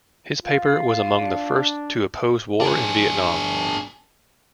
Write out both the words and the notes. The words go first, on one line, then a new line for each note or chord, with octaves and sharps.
His paper was among the first to oppose war in Vietnam.
F4
D4
D4 G#4